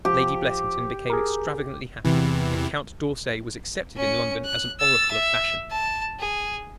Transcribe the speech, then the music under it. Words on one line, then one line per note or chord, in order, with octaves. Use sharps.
Lady Blessington became extravagantly happy, and Count d'Orsay was accepted in London as an oracle of fashion.
F3 G4
G#4 A#4
E2 C3 E3
C#4 C#7
F#6
E6 A6
E5
A5
G#4